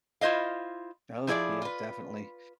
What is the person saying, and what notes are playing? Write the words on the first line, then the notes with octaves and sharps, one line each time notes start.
Oh, yeah, definitely
E4 F4 C5 D#5 F5
F3 E4 G#4 C#5 D5
F4 B4